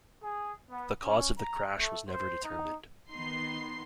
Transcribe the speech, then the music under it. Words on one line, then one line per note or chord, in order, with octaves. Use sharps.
The cause of the crash was never determined.
G#4
B3
C#4
A#5
A3
C5
D#4
D#3 B3 D#4 C6 C7